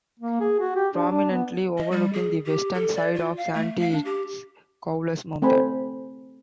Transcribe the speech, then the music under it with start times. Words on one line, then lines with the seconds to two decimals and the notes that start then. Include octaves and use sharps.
Prominently overlooking the western side of Santee is Cowles Mountain.
0.20 A#3
0.40 G#4
0.60 F#4
0.76 G4
0.94 D4
1.11 D4
1.31 B3
1.78 D#5
1.91 G3
2.13 G#4
2.46 G4
2.74 A4
2.95 D5
3.15 F4
3.37 F5
3.55 A3
3.80 F5
3.91 D4
4.05 G4
5.42 A3 C4 C5 G#5 B5